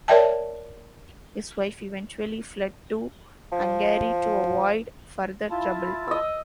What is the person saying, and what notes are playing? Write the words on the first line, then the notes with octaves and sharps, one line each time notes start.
His wife eventually fled to Hungary to avoid further trouble.
A#4 C#5 D5 E5 G5 A5
F3
E4 F4 A5
D#5 E6